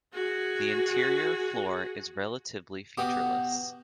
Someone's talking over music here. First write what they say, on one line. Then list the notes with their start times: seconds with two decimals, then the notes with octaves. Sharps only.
The interior floor is relatively featureless.
0.13 F#4 G#4
2.97 B2 F#4 G4 D#6